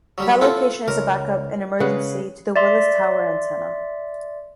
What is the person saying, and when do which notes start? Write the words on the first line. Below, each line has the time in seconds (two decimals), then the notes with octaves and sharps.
That location is a back-up, in emergency, to the Willis Tower antenna.
0.18 F#3 G3 G4
0.41 C4 E4 F4 A4 F#5
0.88 C#2 A#4
1.80 C#3 G#3 B4 F#5
2.56 D5 E5 C6